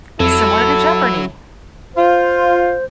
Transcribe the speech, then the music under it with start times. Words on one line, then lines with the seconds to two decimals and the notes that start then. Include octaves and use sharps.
Similar to Jeopardy!
0.20 F2 F#3 E4 A4
1.95 F4 C5